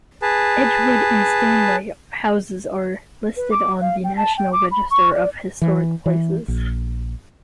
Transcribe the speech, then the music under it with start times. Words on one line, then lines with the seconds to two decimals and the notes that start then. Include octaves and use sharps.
Edgewood and Stoneleigh houses are listed on the National Register of Historic Places.
0.22 G#4 B4 A5
3.36 B4
3.51 D6
3.81 F5
4.04 G5
4.17 A5
4.37 G5
4.52 D6
4.71 B5
4.90 C#6
5.12 D5
5.62 E3
6.06 E3
6.48 A#1